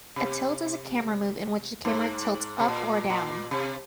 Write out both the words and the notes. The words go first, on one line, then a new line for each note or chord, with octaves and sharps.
A tilt is a camera move in which the camera tilts up or down.
C3
G#2
C3
A#2
A#2
C3